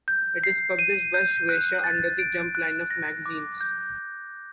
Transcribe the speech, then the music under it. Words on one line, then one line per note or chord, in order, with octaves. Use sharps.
It is published by Shueisha under the "Jump" line of magazines.
G6
C7
D#7
G6
F#6
A6
D7
F#6
A#6
D6
G6